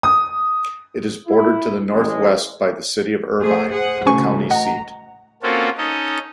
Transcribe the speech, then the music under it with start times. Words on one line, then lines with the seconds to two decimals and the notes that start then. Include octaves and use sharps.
It is bordered to the northwest by the city of Irvine, the county seat.
0.03 D#6
1.27 E4
1.92 A1 G#3
3.40 A3 G#4 C5
3.72 G#4 C5 F#5
4.06 A1 D2 C#3 C#4 G#5 C#6
4.50 D#5 F#5 A#5
5.43 A#3 C4 C#4 F4 F#4 A4
5.78 C#4 D#4 A4 D#5